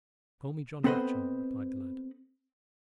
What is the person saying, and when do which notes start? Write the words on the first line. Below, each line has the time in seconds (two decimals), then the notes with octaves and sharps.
"Call me John Matcham," replied the lad.
0.84 B3 C4 A4 B4 C5 D#5